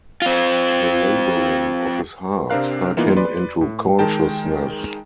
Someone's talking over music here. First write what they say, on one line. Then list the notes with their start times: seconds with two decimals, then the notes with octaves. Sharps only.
The labouring of his heart hurt him into consciousness.
0.22 C4 F4
2.50 C3 C4 D4 A#4 F5 F#6
2.97 E3 A#3 B3 D#4 F4
3.17 B4 D5 C6
3.61 A2
3.99 D#3 G#3 A#4 G5 A5